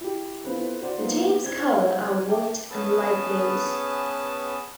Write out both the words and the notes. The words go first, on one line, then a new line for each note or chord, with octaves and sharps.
The team's color are white and light blues.
E4 G4
B3 C4 E4 F4 A4 B4
F#4 C5 D5 F#5
F3 A#3 B3 D#4
C4 E4 G#6 G7
G5 A5 D6
B3 C#4 G#4 B4 A5 E6